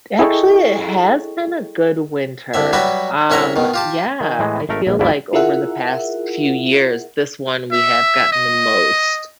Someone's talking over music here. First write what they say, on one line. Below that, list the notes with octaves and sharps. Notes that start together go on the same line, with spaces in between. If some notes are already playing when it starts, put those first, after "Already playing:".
Actually it has been a good winter, um, yeah, I feel like over the past few years this one we have gotten the most
E4 G#4 A4 D#5 G5 C#6
C2 D3 E5
F#3 G3 F#4 B4 E5
C2 C#4 E5 F#5 A#5
B2 D#3
F4 G4 A5
D#3
A2 E3 G#3
G#1 A3 A#4
A#1
G#1 D2 G2 F#3 E4 D5
E4 F4 G#4 A#4 E5 F#5
E5
D#5